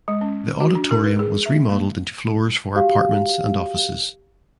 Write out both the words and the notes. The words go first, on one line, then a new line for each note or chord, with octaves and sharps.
The auditorium was remodelled into floors for apartments and offices.
G#3
C#4
F#4
D4
A#4
B4
G#4
E5
A#3
F#4 G4 F5